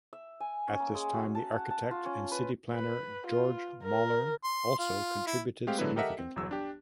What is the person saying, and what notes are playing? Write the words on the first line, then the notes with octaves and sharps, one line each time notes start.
At this time the architect and city planner Georg Moller also contributed significantly.
E5
G#5
C#4
A#3
G#3
F#4
A5
F#5
A5
F4
C#4
B4
B4
F4
A#4
C6
F4
E4
G#3 A3 C4 G4 C5 F5
D3 F#3 G#3 B3 E4 B4
G4 A4 A#4 D#5 E5 F#5
C4
G1 E2 F#3 E6
D4 G4